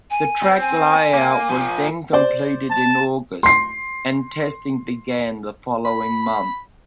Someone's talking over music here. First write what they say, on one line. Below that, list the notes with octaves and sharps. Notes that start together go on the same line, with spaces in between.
The track layout was then completed in August and testing began the following month.
G#5
C4
G#5
A#3
A#2 F3
C5 D5
A5
C6 C7
B5